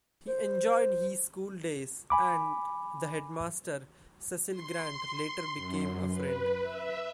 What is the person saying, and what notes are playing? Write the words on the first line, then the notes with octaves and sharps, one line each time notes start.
He enjoyed his schooldays, and the Headmaster, Cecil Grant, later became a friend.
C5
G#5 B5 D6
C6
C6
F#2
B4
E5